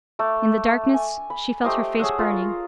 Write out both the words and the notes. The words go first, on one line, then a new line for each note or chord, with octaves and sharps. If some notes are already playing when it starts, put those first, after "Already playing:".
In the darkness she felt her face burning.
A3 D6
G#5
B5
A3 G4 C5 D#5
G#4 C#5 E5 F#5
F4 A#4